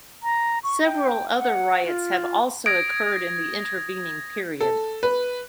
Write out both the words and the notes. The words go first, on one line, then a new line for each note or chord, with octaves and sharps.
Several other riots have also occurred in the intervening period.
A#5
C#6
G5
F#5
F4
D#6 G#6 A#6 D7
A4
B4